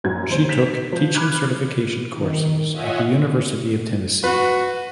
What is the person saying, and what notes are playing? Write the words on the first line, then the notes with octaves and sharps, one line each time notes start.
She took teaching certification courses at the University of Tennessee.
A#1 F#2 F#4 G#6
G1 D#2 C5
G6 B6 D7 E7 F7
F3 G6
B5 D6 F6 F#6 G#6
D#3
F4 C#5 D#5 E5 F#5 G#5
F#4 B4